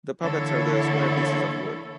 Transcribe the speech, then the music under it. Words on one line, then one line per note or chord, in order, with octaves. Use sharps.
The puppets are the square pieces of wood.
D3 E3 A#3 E4 A4 C#5